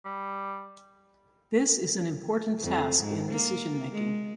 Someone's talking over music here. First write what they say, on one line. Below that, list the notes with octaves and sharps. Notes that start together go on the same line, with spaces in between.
This is an important task in decision making.
G3
F2
G#2
A#3
G#3